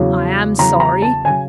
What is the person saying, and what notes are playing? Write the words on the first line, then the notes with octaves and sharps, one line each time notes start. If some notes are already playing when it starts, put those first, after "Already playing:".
I am sorry.
Already playing: E2 C#3 F#3
E2 C#3 F#3 A#5
A#5
A5
C#3 F#3 G#5